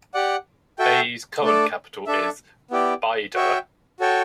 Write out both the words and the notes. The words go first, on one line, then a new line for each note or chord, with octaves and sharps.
Bay's current capital is Baidoa.
G4 D5 F#5
F#4 A4 E5 G5
A3 D4 A4 D5
D4 A4 E5
B3 E4 G4 D5
F#4 C#5 E5 G5
F#4 A4 C#5 G5